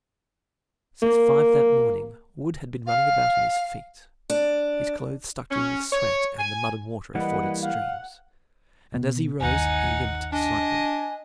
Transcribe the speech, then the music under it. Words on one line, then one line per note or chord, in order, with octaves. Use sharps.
Since five that morning Wood had been running about on his feet, his clothes stuck to him with sweat and the mud and water of forded streams, and as he rose he limped slightly.
A#3
F5
D4
C#4
C#5
G#5
E3 G3 A#3 B4 D#5 F#5
F5 F#5
B2 B3
G1 D#2 D#4 F#5 G#5
D4 D#5 G#5